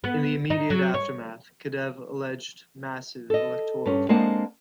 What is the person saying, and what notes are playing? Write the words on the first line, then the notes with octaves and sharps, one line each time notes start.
In the immediate aftermath, Kedev alleged massive electoral fraud.
B3
D#4
F#3
C#5
A4 D#5
G2 C#4
G#3 A#3 C4 D4 F#5 A5